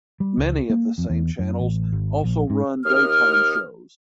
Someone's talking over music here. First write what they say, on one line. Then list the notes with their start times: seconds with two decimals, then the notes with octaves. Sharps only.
Many of the same channels also run daytime shows.
0.20 G3
0.37 C#2
0.70 A#3
0.98 F2
1.10 E2
1.39 F#2
1.60 A1
1.92 G#1
2.24 A#1
2.50 G#2
2.86 D#2 D#6 F6